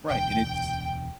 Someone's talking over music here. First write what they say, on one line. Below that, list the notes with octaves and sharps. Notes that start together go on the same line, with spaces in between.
Right, and it's
E1 D2 G5